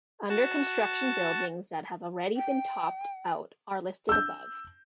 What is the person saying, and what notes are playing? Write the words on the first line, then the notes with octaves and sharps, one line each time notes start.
Under construction buildings that have already been topped out are listed above.
F#4 A5
G5
E6 G6